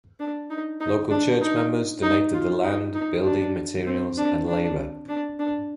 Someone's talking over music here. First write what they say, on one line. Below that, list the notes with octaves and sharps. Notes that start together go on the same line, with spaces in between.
Local church members donated the land, building materials and labor.
D4
D#4
D#4
D4
D#4
D#4
F4
D#4
D#4
D4
C4
D4
D4
D4
D4